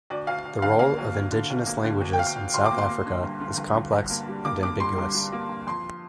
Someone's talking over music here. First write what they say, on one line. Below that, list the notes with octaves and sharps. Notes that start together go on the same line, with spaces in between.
The role of indigenous languages in South Africa is complex and ambiguous.
D2 D5
D2 F5
D2
D3 F5
A#3 F5
D2
D2
D3
D2
A#3
D3
D2
G5
D2 F5
D2
D2 C6
A#3 D6
C6
A#3
D3
G2
D3
G2
D3
G2
A#3
G3
A#3 D6
D3 D6
G3 C6
G2
G3
A#3
G2
F2 C6